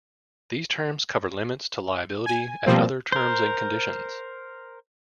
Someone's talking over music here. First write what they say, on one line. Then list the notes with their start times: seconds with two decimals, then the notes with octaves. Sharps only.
These terms cover limits to liability and other terms and conditions.
2.26 G#5
2.66 B2 F3 G3 A#3 C4
3.12 A#4 C5